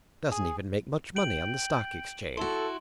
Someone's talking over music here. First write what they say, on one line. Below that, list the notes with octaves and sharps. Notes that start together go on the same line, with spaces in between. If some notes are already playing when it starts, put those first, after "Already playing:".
He doesn't even make much money on the Stock Exchange.
G#4
G5 D7 F#7
E4 F#4 A4 C6